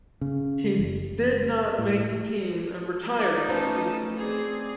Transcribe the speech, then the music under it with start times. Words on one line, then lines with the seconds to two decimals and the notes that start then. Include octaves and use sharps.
He did not make the team and retired that season.
0.21 C#3
0.79 F#1
1.79 A2
3.18 D#4 D5
3.49 A3 C#4 B4 A5
4.17 C4 G#4 D5